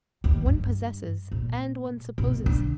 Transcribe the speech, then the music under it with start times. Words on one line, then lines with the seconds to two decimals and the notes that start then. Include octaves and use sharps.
One possesses and one supposes.
0.24 D#2
0.46 G2
1.32 A#2
2.18 B2
2.46 D3